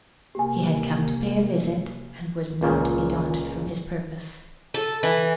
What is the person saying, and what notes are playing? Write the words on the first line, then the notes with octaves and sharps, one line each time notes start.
He had come to pay a visit, and was not to be daunted from his purpose.
C3 A#3 G4 G#5
C#2 A#2 C#3
A4
E3